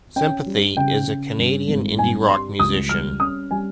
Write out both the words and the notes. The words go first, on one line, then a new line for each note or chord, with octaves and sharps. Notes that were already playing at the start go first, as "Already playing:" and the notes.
Sympathy, is a Canadian indie rock musician.
C#4 G5
G3
C#3 G5
C#3
G2
G#1
G2 G#5
G3 C6
C#2 D#6
G3 F6
C#4 D#6
G3 G#5